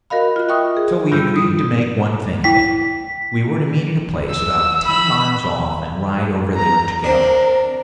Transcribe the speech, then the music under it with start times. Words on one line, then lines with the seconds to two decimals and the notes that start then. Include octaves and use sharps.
So we agreed to make one thing of it. We were to meet at a place about ten miles off and ride over there together.
0.10 F#4 A#4 D#5 F5 B5
0.36 F4 F#6
0.49 E5 G5 C#6 D#6
0.77 G#4
1.12 G2 G3 F4 E6 G6
1.36 D#6
2.44 E4 G5 B6
4.30 E6
4.86 B5
6.56 A#5
7.04 C4 D4 A#4